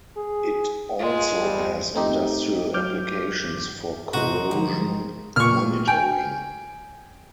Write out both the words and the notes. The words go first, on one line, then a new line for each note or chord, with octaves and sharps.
It also has industrial applications for Corrosion Monitoring.
G#4
G#3 F4
G3
A3 C4 D#4 G4
F#3 D6 F6 G6
G#2 C3 E4 F#4 A#4 C5 D5 D#5
D3 F3 F#3 G4
A#2 C#6 F6
G5 G#5